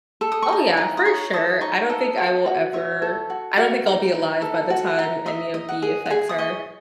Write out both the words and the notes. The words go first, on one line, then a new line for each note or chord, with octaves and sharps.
Oh yeah, for sure. I don't think I will ever I don't think I'll be alive by the time any of the effects are,
A4
D#6
C#6
D#4 D#6
D#4
D#6
C#5 C#6
A4 D#6
D#4 C#6
A4 D#5
F#4
F#4
C#5 E5
A4
F#4
F#4
D#4
D#4
A4
F#4
D#4
D#5 E5
D#5
F#5
G#4
F#5
G#4 G#5
D#6
D#5 C#6